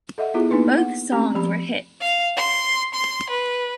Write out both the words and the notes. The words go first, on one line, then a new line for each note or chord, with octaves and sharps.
Both songs were hits.
A4 D#5 E5 F#5
B3 E4 F4 G#4
A#3 B3 D4 D#4 B4
F#5
A3 C4 C#4 G4
F3 G4 B5
F5
C6
C6
B4